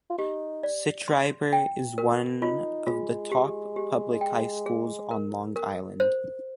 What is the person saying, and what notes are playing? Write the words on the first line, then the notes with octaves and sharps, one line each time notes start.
Schreiber is one of the top public high schools on Long Island.
F4
D#4 G4
D5
C6
G5
A#4
D#4 F4
G#3 F4
G4
G4
G5
G#4
A#4
A#4
C5